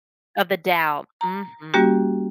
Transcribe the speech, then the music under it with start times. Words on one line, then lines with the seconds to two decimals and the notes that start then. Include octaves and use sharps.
Of the doubt. Mhm.
1.21 A#5
1.74 G3 A#3 C#4 F#4 G4